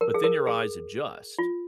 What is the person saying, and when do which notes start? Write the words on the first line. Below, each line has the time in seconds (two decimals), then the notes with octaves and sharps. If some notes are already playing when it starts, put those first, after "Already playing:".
but then your eyes adjust.
0.01 A#4
0.14 G#4
0.24 A#4
0.47 G#4
1.39 F4